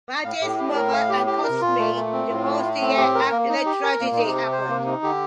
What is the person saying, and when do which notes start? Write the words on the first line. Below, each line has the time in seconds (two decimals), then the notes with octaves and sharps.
Vadiz's mother and Cosme divorced a year after the tragedy happened.
0.24 A2 F5
0.41 A2 G4
0.59 G4
0.75 A#4
0.93 F5
1.09 G4
1.27 G4
1.43 A#4
1.49 C3
1.61 A#2 F4
1.79 A3
1.96 A3
2.13 C4
2.29 A2 F4
2.46 A3
2.64 A3
2.81 C4
2.97 A2 G4
3.15 A#4
3.32 A#3
3.49 D#4
3.66 G4
3.83 A#4
4.00 A#2 A#3
4.11 A#2
4.18 D#4
4.23 C3
4.35 G4
4.52 C5
4.68 A#3
4.86 D#4
5.03 D3 G4